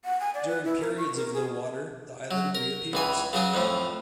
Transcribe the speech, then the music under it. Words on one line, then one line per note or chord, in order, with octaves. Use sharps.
During periods of low water the island reappears.
F#5
G#5
D5
B4
E4
A#4
C#6
A#4
G#4
F#3
A#4
C#2 E3 G#5
C#3 F#3 G#4
F2 A2 F3